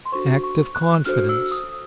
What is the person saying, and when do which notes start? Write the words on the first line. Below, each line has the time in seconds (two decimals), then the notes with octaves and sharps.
Act of Confidence.
0.06 C6
0.12 D4 F#4 A4 C5 C#6
0.44 C#6
0.75 F#6
1.05 D4 F#4 A4 C5 F6
1.29 E6
1.52 D#6